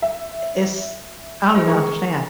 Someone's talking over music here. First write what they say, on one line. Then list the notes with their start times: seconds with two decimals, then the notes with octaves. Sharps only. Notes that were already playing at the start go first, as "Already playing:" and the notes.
Eh is I don't even understand.
0.02 E5
1.52 G#3 D#5 C#6
1.67 G#3 A#4 C#6